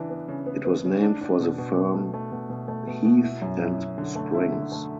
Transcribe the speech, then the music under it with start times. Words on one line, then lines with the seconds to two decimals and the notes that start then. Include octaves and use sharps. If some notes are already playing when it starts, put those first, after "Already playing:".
It was named for the firm Heath and Springs.
Already playing: C#3 E3 D4
0.10 B3
0.28 C#3
0.46 B3
0.65 B3
0.84 C#3
1.02 D4
1.21 D4
1.40 B2
1.58 B2
1.76 B2
1.95 A3
2.14 A3
2.32 B2
2.50 B2
2.68 A3
2.87 B2
3.05 B2
3.23 E4
3.42 F#2
3.61 E4
3.79 E4
3.98 D3
4.16 A3
4.34 E4
4.53 D3
4.72 A3